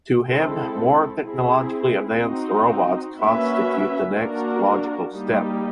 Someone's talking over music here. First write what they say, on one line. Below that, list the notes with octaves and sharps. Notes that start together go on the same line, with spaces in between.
To him more technologically-advanced robots constitute the next logical step.
G#3 C4 E4 A4
C4 E4 G#4
C4 D#4 F#4
A#3 C#4 F#4 B4 E5
A#3 D4 F#4 A#4
G3 A#3 D#4 G4